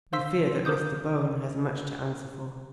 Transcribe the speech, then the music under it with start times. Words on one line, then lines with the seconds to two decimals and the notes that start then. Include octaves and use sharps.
We fear that Mr. Bohn has much to answer for.
0.13 C5 F5 C6 E6 B6
0.65 A#4 C5 D6 D#6 G6